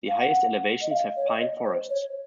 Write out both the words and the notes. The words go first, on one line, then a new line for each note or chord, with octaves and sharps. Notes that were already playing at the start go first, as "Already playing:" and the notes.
The highest elevations have pine forests.
F5
F#5
D#5
F5
C#5
D#5
C5
C#5